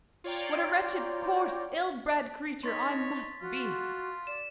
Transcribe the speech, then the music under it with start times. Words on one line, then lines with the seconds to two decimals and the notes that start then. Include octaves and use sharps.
What a wretched, coarse, ill-bred creature I must be!
0.24 F4 C#5 D5 G5 A#5
2.63 D#4 C#5 C6 A6 B6
3.41 F4 F#4
4.27 D5 E7